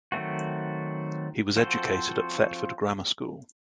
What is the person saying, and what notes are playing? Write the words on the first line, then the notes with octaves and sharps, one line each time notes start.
He was educated at Thetford Grammar School.
D#3 F#3 A3 C4 F#4
F3 C4 F#4 A4 C5